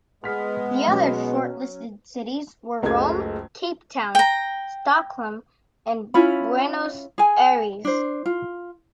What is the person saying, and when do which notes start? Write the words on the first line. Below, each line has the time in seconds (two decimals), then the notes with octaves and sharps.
The other shortlisted cities were Rome, Cape Town, Stockholm and Buenos Aires.
0.24 G#3 B3 F6 B6
0.88 B2 F#3 C#4
2.82 F#1 C#2 G#3 A3 D#5 G#6
4.15 G5 A#5
6.14 C#4 E4 F4 B5
7.18 G#4 G#5
7.85 D4 C5
8.26 F4